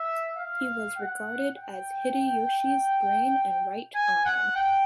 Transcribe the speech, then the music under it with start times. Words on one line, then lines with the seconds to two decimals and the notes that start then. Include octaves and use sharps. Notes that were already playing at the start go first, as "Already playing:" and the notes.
He was regarded as Hideyoshi's brain and right-arm.
Already playing: E5
0.37 F5
0.97 F#5
1.57 G5
3.95 G#5
4.25 F#5
4.56 G5